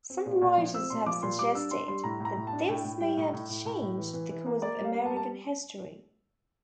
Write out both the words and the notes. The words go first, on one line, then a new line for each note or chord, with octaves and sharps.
Some writers have suggested that this may have changed the course of American history.
C4
A#2
A#2
F3
C4 E6
A#2 C6
F3 D6
A#2 C6
G3 D6
D4 E6
D4 C6
G3 C6
A2 A#5
A2
A#5
A2
A5
D4
A2 G5
A2
G3 G5
A2
A2
A2
A2
A2
E3
E3
E3
A#3
A#3 D5
G3
F5
A#3
A5
G3
A5